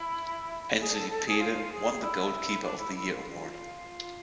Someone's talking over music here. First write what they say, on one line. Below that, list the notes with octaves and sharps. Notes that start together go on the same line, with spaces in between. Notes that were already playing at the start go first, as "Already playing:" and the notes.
Enzo Di Pede won the 'Goalkeeper of the Year' award.
Already playing: E4
G#4
A4
A4
G#4
F4
G#4
E4
D4
E4
E4
F4